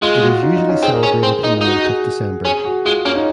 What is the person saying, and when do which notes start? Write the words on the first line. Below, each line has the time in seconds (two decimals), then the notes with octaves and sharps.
It is usually celebrated in the month of December.
0.02 G#3 F4
0.22 F#4
0.42 D#4
0.56 D#4
0.69 C#4
0.83 C4 G#4
0.94 A#4
1.03 C#4 G#4
1.23 C4
1.44 D#4
1.57 F4
1.61 D#4 F#4
1.76 F#4
1.84 G#4
2.45 C#4 G#4
2.65 F#4
2.85 G#3 F4
3.05 A#3 C#4
3.15 D#4